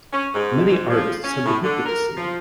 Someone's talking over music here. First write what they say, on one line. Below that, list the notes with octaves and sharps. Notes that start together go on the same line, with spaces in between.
Many artists have depicted the scene.
C#4
G#2
G#2
F3
C#4
A2
D3
A#4
F3